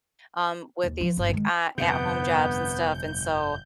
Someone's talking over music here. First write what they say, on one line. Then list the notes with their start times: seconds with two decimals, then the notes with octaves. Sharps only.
um, with these, like, uh, at home jobs and stuff, and so
0.84 D#2
1.01 F3
1.17 G1
1.29 D#3 G#3
1.78 G1 F2 C3 B3 G6